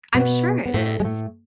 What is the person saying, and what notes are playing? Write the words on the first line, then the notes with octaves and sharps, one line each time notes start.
I'm sure it is.
B2 B3
B3
A2 A3
G#3
A2 A3